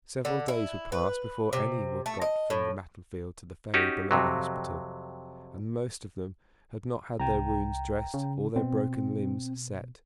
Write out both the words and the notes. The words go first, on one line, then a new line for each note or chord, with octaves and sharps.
Several days would pass before any were got from the battlefield to the ferry below the hospital, and most of them had not had their wounds dressed or their broken limbs set.
D3
E4
B4
C3
A3
D#5
A2
C#4 D#4 F#4 G4
F2 C3 F#3
C2 G5 A#5
C#3
B2 C4